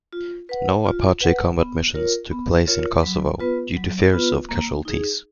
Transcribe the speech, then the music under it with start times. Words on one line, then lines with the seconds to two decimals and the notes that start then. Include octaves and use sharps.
No Apache combat missions took place in Kosovo due to fears of casualties.
0.13 F4
0.49 B4 F#5
0.86 F4
1.21 B4 F#5
1.59 B3
1.94 F4 A#4 C#5
2.31 B3
2.68 F4 A#4 C#5
3.03 F#3
3.40 B3 F4 B4
3.76 F#3
4.13 B3 F4 B4
4.49 A#3
4.85 D#4 G#4